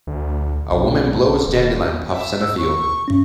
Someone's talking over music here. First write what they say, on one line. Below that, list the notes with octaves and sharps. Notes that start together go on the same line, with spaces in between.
A woman blows dandelion puffs in a field.
D2
B1
D#1
E5
E6
C#6
G2 C#4